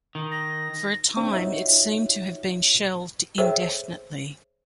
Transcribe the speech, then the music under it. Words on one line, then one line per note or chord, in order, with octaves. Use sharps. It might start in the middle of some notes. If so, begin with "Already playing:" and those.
For a time, it seemed to have been shelved indefinitely.
D#3
A#6
C4 D4
D#4 F4 F#4 C#5 E5
G#4 A4 C5 C#5 E5 G5